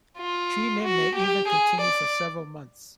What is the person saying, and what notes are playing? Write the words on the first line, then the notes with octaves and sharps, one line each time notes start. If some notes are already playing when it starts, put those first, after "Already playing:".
Treatment may even continue for several months.
F4
F#4
G4
G#4
D5